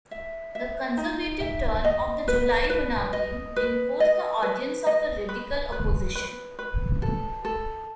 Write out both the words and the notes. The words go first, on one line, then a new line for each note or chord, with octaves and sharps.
The conservative turn of the July Monarchy reinforced the audience of the radical opposition.
E5
E5
D#4
E5
D#5
B4
B4
D#5
B4
D#5
B4
D#5
B4
B4
B4
B4
A4
A4